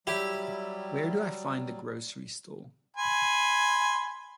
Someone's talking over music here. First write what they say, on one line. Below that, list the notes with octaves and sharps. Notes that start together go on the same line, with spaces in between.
Where do I find the grocery store?
F#3 G3 E4 G4
G#5 B5 C6